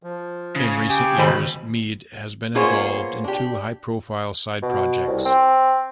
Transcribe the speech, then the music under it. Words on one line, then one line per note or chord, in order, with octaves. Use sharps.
In recent years, Mead has been involved in two high- profile side projects.
F3
C#3
G4 G5 G#5
B2 D#3 C5 B5
A#3 B3 F4 G#4 C5 C#5
D4 G4
B2
C2
C4